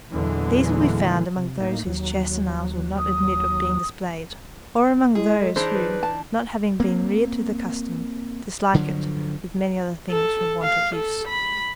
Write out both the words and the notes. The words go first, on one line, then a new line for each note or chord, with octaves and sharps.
These will be found among those whose chest and arms will not admit of being displayed, or among those who, not having been reared to the custom, dislike it with many other things from want of use.
E2 A#2 D3 E3 F#3 G#3
C3
A2 A#3 D#4
D#2 F#3
D#6
G#3 E4 G#4
A4
E3 D4 D#4 G#4 C5
B4
A5
A#3 C4
G2 D3 F3 F#3
A4
F5
A4
B5